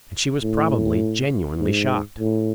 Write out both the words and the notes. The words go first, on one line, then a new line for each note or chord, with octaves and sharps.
And she was probably genuinely shocked.
A2
G#2
A2